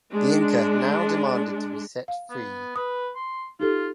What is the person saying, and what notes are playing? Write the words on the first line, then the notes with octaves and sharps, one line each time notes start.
The Inca now demanded to be set free.
G#3 D4
F5
B3
B4 D#6
C6
D#4 F4 G4 A4